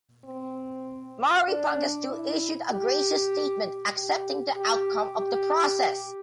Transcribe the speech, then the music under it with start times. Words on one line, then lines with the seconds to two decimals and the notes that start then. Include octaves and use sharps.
Mari Pangestu issued a gracious statement accepting the outcome of the process.
0.24 C4
1.48 D4
2.10 E4
2.71 G4
3.95 G4
4.57 G4
5.18 G4